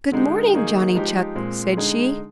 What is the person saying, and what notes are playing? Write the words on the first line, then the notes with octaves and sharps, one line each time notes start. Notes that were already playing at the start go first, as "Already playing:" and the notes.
"Good morning, Johnny Chuck," said she.
D3 G#3 D#4 G4
D#3 A#3 D#4 G#4
F3 G#3 D#4 G4
A#2 G#3 C4
D3 G#3 D#4 G#4